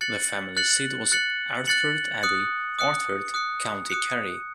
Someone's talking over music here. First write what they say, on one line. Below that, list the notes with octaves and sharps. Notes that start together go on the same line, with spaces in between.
The family seat was Ardfert Abbey, Ardfert, County Kerry.
F#6 A6 C#7 F#7
F#6 A6 C#7 F#7
F#6 A6 C#7 F#7
F#6 A6 C#7 F#7
D#6 F#6 C#7
D#6 F#6 C#7
D#6 F#6 C#7
D#6 F#6 C#7